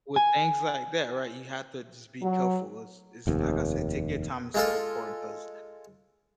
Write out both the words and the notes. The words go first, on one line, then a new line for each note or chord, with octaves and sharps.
with things like that, right, you have to just be careful. It's it's like I said, taking your time is so important 'cause
G#5
F#3
F1 D#2
G#3 F4 A4